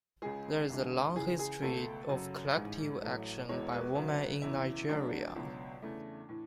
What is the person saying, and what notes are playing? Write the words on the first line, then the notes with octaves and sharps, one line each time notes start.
There is a long history of collective action by women in Nigeria.
C#2 C#3 G#3 G#4
E1 D2 D3 G#3
C#2 C#3 E3 G#4
G#4
C#2 B2 A3 A4
F#2 C#3 F#3
A1 G#2 G#3
A1 A2 F#3 A3
E1 E2 B2 G#3 C#5
B4
D2 C#3 F#3
E1 E2 C#3 E3 E4
D2 D3 F#3 A3 D4
C#2 B2 F#3
E2 C#3 E3 A3
A2 E3